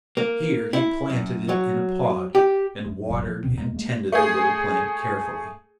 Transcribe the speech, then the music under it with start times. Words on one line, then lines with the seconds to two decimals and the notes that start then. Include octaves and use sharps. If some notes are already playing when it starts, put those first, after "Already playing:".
Here he planted it in a pot, and watered and tended the little plant carefully.
0.17 A#3
0.73 E4
1.10 F#2
1.49 F#3
2.35 G4
2.86 F#2
3.10 F1 C2 G2 F#3
3.27 F3
3.44 E1 B2 D3 C4
3.55 E2 G2 G#3 A#3
3.74 G#3 A#3
4.12 A3 G#4